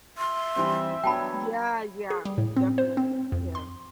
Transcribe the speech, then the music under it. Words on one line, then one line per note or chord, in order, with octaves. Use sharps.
Yeah, yeah. Definitely, yeah.
E5 C6
E3 G3 C4
F#3 B3 D4 C#5 G5 A5 B5
G#4
G3
A2
C4
C5
C4
F2
C6